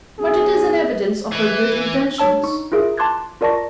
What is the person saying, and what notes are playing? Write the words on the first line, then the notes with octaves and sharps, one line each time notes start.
But it is an evidence of her good intentions.
B1 G#4
E3
D4 C#5 A5 E6
D#4 C#6
E4 F4 G#4 A#4 E5
A5 C6 D6 F#6 G#6 A6
F4 A#4 D5 A5 C#6 A#6